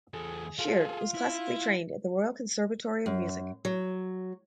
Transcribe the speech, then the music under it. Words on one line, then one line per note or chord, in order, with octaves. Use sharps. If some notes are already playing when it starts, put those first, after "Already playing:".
Sheard was classically trained at the Royal Conservatory of Music.
E2 G#4 A4
F4 G#4 A4
E4
F#2
F#3